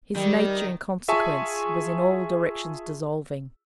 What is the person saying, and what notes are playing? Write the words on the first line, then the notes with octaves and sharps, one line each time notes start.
His nature, in consequence, was in all directions dissolving.
D#3 G3
F4 G#4 E5 G#5 A5 C#6